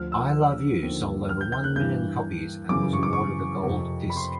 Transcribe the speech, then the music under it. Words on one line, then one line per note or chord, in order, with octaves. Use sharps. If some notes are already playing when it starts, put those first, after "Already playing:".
I Love You, sold over one million copies, and was awarded a gold disc.
Already playing: D2 D3 F3 F6
E6
D#2 D3 F3
F6
G6
G6
F#6
G2 E3 G6
F#2 C#3 E3 D6
C#6
D6
C#6
F2 C3 F3
B5
C6